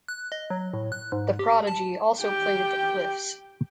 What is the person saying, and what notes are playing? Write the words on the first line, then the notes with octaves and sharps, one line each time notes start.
The Prodigy also played at the Cliffs.
F#6
D#5
F#3
A2
F#6
G#2
G4
A5
G4 G5